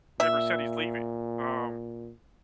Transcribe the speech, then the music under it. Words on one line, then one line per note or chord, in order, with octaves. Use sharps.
ever said he's leaving." Um
A#2 E5